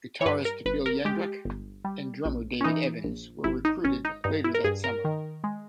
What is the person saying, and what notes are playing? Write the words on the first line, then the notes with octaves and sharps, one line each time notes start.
Guitarist Bill Yendrek and drummer David Evans were recruited later that summer.
C#5
G2 B4
A#4
G1 B4
A#4
G#3 G4
G1
G3
A#1
C#4
E3 D#4
A#1
G#1 E4
D#4
G#1 C#4
D#4
G2 D#4
E4
A#4
G2 G#4
A#4
D#3
G#3